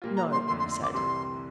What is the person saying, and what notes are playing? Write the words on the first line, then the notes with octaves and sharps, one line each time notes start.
"No," he said.
A#2 G3 A#3 F4
A#5
C6
F2 D3 A3 C6
C6
C6
D6
C2 C3 E3 G3 C6